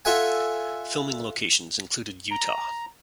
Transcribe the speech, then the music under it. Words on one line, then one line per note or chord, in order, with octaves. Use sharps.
Filming locations included Utah.
F4 A4 E5 F#5 G#5
A#5